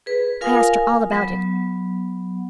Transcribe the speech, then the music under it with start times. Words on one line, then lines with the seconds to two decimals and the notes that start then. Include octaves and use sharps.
I asked her all about it.
0.06 G#4 B4
0.41 F4 A#4 F5 G#5 D#6
1.11 F#3 B3